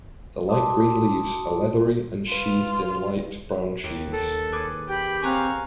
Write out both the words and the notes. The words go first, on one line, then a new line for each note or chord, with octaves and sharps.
The light green leaves are leathery and sheathed in light brown sheathes.
F#4 A5 C6 D6 D#6
F4 B4
D#2
A4
G#4 B4 D6
G4 G5 B5
C4 F5 G#5 A#5 C#6 F#6